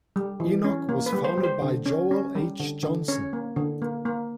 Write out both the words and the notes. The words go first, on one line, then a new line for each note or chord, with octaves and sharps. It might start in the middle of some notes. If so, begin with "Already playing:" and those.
Enoch was founded by Joel H. Johnson.
G3
E3
C#4
A#3
B4
G3
C5
G3
C5
D3
C#4
C#4
G3
D3
D3
C#4 C#5
A#3
D3
A#3
A#3